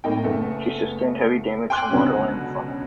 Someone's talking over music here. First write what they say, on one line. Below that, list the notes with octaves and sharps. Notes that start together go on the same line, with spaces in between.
She sustained heavy damage from waterline to funnel.
A2 A#3 D#4 G5
F#1 A3 B3
G5 G#5 C6 D6 F#6
C#2 B2 D3 F#3 C#4